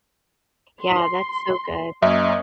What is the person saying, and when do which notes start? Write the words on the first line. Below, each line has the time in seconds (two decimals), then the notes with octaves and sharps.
Yeah, that's so good.
0.81 C6
2.02 F#2 A#3 C#4 D#5 E5